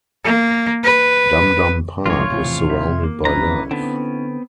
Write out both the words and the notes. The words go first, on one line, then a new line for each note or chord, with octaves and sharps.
Dum Dum Park is surrounded by love.
A#3
B4
G1 A2 D3 F3 G#3 F4 C#5
E1 E2 A2 C3 F3
C3 E5
A#3
G1 F2 C#4 E4 B4 A#5
D3 B3 C4